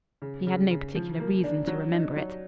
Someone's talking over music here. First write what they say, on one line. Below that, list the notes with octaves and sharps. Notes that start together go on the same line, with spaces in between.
He had no particular reason to remember it.
C#3
C#3
C#3
F3
A#3
D4
F#3
D#4
F#3